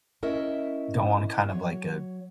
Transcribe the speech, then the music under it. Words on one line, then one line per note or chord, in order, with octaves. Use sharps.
go on kind of like a
C#4 E4 A#4 D#5 E5
F#3 C#5